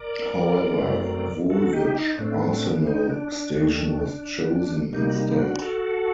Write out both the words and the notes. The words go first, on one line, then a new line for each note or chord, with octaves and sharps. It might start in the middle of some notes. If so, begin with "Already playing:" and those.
However, Woolwich Arsenal station was chosen instead.
Already playing: A#4 D5
F#2 F#3 A3 C4
F#4 A4
F#4
D#4 G4
D#4
A2 A3 C4 D4
D#4
D4
D4
D#2 D#3 A3
C3 G3 A#3 D#4
F#4
D#4
D4 F#4
F#4 A4